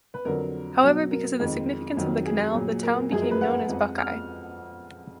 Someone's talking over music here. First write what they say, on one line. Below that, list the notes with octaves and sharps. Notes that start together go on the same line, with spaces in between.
However, because of the significance of the canal, the town became known as Buckeye.
B4
F2 D3 F#3 A#4
B2 F#3
A#4
F2 D#3 G#3
F2 D#3 F#3
G#4
A#2 F#3
A#4
F#2 F3 G#3 G#4
A#4
B4
F#5
F2 F3 G#3
F6